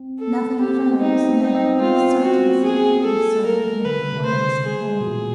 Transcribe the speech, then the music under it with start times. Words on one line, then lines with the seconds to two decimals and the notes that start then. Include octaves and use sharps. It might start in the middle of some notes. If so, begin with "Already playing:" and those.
Nothing further is known with certainty concerning him or his companion.
Already playing: C4
0.19 A4
0.60 C4 G4
0.68 A#3
0.74 B3
0.87 B3
1.00 C4 D#4
1.14 C4
1.28 B3
1.42 C4 D#4
1.54 C4
1.69 B3
1.82 C4 F4
1.96 C4
2.09 C#4
2.23 C4 F#4
2.36 B3
2.50 A#3
2.64 G#4
3.05 A4
3.39 A#3
3.45 A3 A#4
3.61 A3
3.65 G#3
3.85 D3 B4
3.99 C#3
4.12 C3
4.26 C5
4.67 G#4
5.00 B2
5.07 A#2